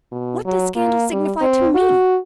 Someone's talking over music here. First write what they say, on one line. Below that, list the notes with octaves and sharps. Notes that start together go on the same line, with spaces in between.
What does scandal signify to me?
B2
F#3
A#3
G3
C4
F#4